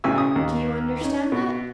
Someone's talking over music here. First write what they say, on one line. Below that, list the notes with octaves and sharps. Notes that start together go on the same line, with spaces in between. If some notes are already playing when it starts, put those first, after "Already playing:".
Do you understand that?
B1 A2 C#3 G#5 E6
C#3 D#6
D#2
C#4 D#4
B2